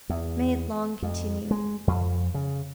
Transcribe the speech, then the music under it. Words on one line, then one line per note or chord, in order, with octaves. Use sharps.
May it long continue!
E2
F2
G#3
F2
C#3